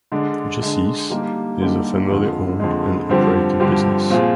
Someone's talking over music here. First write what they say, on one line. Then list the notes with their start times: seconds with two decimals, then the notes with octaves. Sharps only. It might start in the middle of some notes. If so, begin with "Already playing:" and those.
Jussies is a family owned and operated business.
0.12 D3 G#3 D4
0.61 D3 G#3 D4
1.10 D3 G3 A#3 D#4 G4
1.61 D3 G3 A#3 D#4 G4
2.11 F2 D3 G#3
2.60 F2 D3 G#3
3.09 G2 D3 F3 C4 G4
3.60 G2 D3 F3 C4 G4
4.10 A#2 F3 C4 F4 G#4